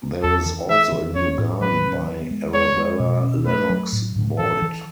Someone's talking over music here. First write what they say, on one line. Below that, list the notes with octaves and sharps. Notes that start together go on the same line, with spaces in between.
There is also a new garden by Arabella Lennox-Boyd.
E2 A4
E3
E3 E5
E3
C#4 C#5
A2
F#3 B4
C#4
B3
G#3
G#3 C#5
G#3
B2
C#4
A3 B4
F#3
A2
A2
E3 A4
E3